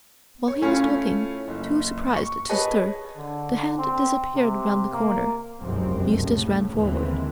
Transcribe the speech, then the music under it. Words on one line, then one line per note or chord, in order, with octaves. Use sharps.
While he was looking, too surprised to stir, the hand disappeared round the corner Eustace ran forward.
C#5
A3 C#4 E4 F4
F#1
C#6
G#4 B4 C#5 D#5 A5
D3
C4
C3
A#3
F1 C2 F#2 G#3 C4
A2 C#3 A3
D#2 D3 E3 G#3 C4